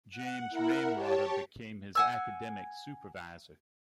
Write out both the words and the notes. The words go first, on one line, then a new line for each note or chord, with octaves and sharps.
James Rainwater became his academic supervisor.
F#5
E4 A#4 F#5
G4 C#5 A5
F#5 G#5 E6